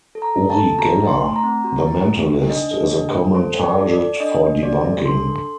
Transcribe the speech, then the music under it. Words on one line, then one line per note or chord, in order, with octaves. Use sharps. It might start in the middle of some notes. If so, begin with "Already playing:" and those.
Uri Geller, the mentalist, is a common target for debunking.
A4
A#5
A4
A5
A4
F#4 A#5
D#4
C6
A3
A#5
C4
F#4
D#4
A3
D#4
D4 D#5
A4
D4
A4
A4 C5
A4
D5
A4
D5
A4
D4 D#5
D4
F#4 D5
A4
D4 C6
A4